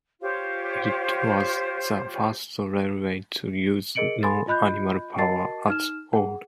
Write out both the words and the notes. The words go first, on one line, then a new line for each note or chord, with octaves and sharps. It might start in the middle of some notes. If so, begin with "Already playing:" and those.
It was the first railway to use no animal power at all.
F4 G4 C5 C#5
G#4 A#4 D#5 C#7 D7 F#7
A4 G#5 B5 C6 A6
F4 D#5 B5 F#6 G6
F#4 A#4 D#5 A5 A6 C7
D#4 F6 E7
G#4 F#5